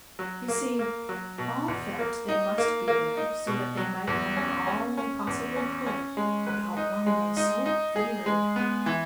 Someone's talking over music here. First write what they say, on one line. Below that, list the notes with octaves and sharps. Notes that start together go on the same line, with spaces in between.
You see, all felt they must be there so that they might learn all they possibly could about one they so feared.
F#3
A#3
A#3
F#3
B2
E2
A#3
D#4
A#3
A#3
D#4
B2
F#3
E2
C#4
C#4
C#4
E2
C#4
C#4
G#3
B4
D#4
G#3
D#4
D#4
G#4
G#3
B3
E3